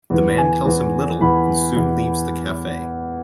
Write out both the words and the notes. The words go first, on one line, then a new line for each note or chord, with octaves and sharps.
The man tells him little, and soon leaves the cafe.
E2 E3
G#5
E2 E3
E2 E3 B5
E2 E3